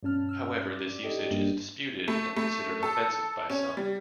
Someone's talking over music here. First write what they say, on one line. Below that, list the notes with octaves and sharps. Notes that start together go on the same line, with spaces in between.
However, this usage is disputed and considered offensive by some.
G2 B2 C#4 A5 F6
E6 F6
D5
G4 A4 D#5
G1 G2 D3 G3 A#3 D4
A3
A3
A4
C#4
G3